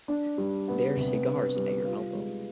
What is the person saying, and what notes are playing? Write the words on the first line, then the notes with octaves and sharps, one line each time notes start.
There's cigars at your elbow.
D4
G3
B3
C3
D4
G3
F4
G#3